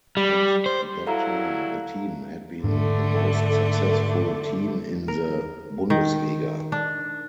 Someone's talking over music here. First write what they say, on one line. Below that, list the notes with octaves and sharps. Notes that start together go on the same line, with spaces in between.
At that time the team had been the most successful team in the Bundesliga.
G3
C5
F#3 G3 E4 A4 F5 A#5
G#2 D3 A3 D4
A#4
D#3
D4